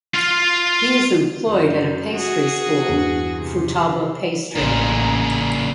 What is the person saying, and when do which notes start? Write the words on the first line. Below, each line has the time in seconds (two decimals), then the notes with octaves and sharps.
He is employed at a pastry school, Futaba Pastry.
0.15 F4 F5
1.46 F#2 D#3
2.14 F#4 G#4
2.89 E2 G2
3.39 C3
4.55 A1 A#2 C#3 G#5 A#5